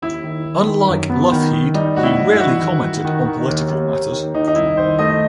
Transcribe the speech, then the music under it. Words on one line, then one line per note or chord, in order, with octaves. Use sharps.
Unlike Lougheed, he rarely commented on political matters.
D#2 E4
D#3
D#3
D#3
F#2
B3
D#3
D#3
G3 D#4
A2 F#4
E4
G3
E4
E3 F#4
E4
D#3
D#3
D#3
D#3
D#2
D#2
D#2
D#3
D#3 D#4
D#4
C2 E4
D#3 C5
A3 D#5